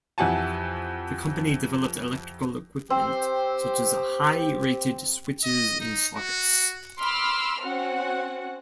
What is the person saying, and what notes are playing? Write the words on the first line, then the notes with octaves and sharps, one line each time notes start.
The company developed electrical equipment such as high rated switches and sockets.
F2 E3 G4 F#5 G#5 A5
C4 G4 C5
D#5
D#4
F#4
B5 C6 D6 E6 F6
C4 C#4 F#4 F#5